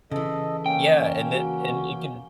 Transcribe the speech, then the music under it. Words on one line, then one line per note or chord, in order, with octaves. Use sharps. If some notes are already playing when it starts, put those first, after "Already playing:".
Yeah, and then and you can
C#3 E3 A4 D#5
A#3 C#4 G5
F#4